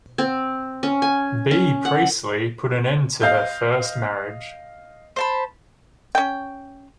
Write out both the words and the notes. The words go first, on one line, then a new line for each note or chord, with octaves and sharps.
B. Priestley, put an end to her first marriage.
C4
C#4
G#5
C#4
F#5
D#5 F5 G6
C5 A5 B5
C#4 G5